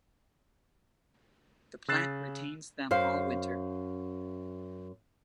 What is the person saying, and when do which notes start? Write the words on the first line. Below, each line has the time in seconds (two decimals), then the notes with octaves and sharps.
The plant retains them all winter.
1.88 C#3 E6 F#6 A6 C7 E7
2.91 F#2 C5 F5